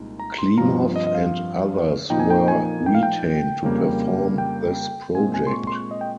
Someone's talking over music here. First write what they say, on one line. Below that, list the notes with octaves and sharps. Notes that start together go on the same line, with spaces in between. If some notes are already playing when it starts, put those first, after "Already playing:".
Klimov and others were retained to perform this project.
Already playing: C2 A#2 G#3 D#4
A#5
C6
G2 F3 C4 F4 A#5
D#5
D#5
F5
A#2 F3 A#3 D#4 G5
G#5
G5
G#5
G5
F5
G5
F2 C#3 G3 A#3
G5
A#2 G#3 C4 F4 G#5
G#5
C6
C#6
C6
C#6
D#5
G5